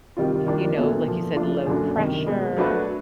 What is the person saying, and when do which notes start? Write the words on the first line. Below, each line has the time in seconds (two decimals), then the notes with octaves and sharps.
you know, like you said, low pressure,
0.17 C3 D#3 G3 C4 F4
0.46 D#3 G3 A#3 D4 F4
0.76 A#2 F#3 B3 E4 A4
1.07 D3 F3 A#3
1.36 F3 A3 D4 F4
1.66 F#2 D3 F#3 A#3 D4
1.97 C3 D#3 G3
2.26 B2 G#3 B3
2.57 F#3 A3 D4 F#4 B4